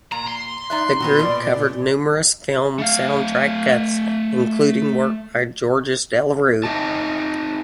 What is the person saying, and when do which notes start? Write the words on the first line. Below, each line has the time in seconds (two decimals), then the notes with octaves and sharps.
The group covered numerous film soundtrack cuts, including work by Georges Delerue.
0.12 A#2 A#5
0.27 C6
0.70 D#4 D5 E5 F#6
1.00 A#2 B3 C4 F#4
1.19 B2 D5
2.78 A3 F5
6.64 C4 D#4 D#5 E5 A5